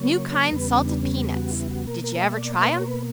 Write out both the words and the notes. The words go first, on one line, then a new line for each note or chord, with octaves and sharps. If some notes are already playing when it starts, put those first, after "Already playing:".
NEW KIND SALTED PEANUTS Did you ever try them?
Already playing: C#3 F#3 A#3 C#5
E2 C#3 G3 B3 B4
C#4
D4
C#4
F#4
E4
F#4
B2 A#3 A#4
A#4
E5
D5
E5
B4
C#5
A#4
B4